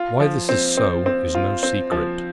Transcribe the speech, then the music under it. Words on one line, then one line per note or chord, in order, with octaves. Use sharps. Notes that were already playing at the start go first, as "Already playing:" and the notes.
Why this is so is no secret.
Already playing: F4
F3
C4
C4
C4
F4
C4
F3